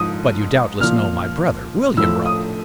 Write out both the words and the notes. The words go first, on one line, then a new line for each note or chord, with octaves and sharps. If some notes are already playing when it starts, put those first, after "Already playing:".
But you doubtless know my brother, William Rugg.
Already playing: G#2 F3 D#6
A#2 F3 F6
A2 F3 E6
D#6